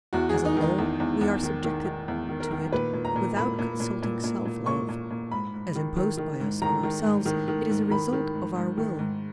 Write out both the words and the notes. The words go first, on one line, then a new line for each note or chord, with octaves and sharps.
As a law, we are subjected too it without consulting self-love; as imposed by us on ourselves, it is a result of our will.
E2 F#4
E2 G#4
D#4
D#3
D#4
E2
E2
E2
D#3
D#3
D#3
E2
D#3
A#4
D#3
A#2 B4
A#2
A#5
A#2
A#2 B5
A#2
A#2
A#2
A#2
A#2
A#2 C#6
A#2
A#2
G#2 B5
G#2
D#3
D#3
D#3
G#2
D#3 A#5
D#3
G#2
D#3
D#3
G#2
D#3 B5
D#3
G#2
G#2
D#3
G#2